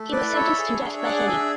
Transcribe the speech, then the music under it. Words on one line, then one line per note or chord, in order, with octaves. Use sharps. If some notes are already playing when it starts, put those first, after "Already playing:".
He was sentenced to death by hanging.
Already playing: A3
E4 B4 D5
A4 C#5 E5
G#4
D4
G#4 D5 F#5
F#5
D4 E5 G#5